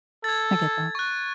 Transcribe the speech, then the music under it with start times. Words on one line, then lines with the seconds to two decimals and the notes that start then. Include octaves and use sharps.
I get that.
0.24 A4 G#6 A6
0.95 C#6 F#6